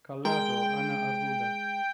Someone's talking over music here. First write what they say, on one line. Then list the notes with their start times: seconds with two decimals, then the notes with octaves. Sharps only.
Callado, Ana Arruda.
0.25 G#3 A#4 G5